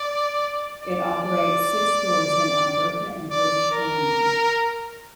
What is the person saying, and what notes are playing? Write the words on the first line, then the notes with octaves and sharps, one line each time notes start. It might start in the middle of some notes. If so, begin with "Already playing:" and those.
It operates six stores in Alberta and British Columbia.
Already playing: D5
D5
D5
D5
A#4